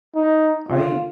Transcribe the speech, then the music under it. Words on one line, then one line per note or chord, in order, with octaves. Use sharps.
Are you
D#4
F4